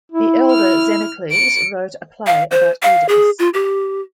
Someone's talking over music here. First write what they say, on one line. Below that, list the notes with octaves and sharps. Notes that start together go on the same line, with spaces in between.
The elder Xenocles wrote a play about Oedipus.
E4
F6
C#7 D7
F5
C5
F5
G#4
F4
G4